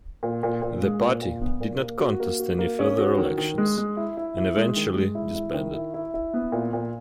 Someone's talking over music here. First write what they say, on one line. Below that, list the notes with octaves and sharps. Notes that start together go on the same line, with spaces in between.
The Party did not contest any further elections, and eventually disbanded.
A#2
A#2
A#2
G#3
A#2
A#2
B3
A#2
A#3
F#4
A#3
F#4
A#3
C#4
F#4
D#3
D#3
G#3
G#3
E4
E4
E4
G#3
D#3
G#3
E4
E4
D#3
E4
E4
E4
B3
A#2
A#2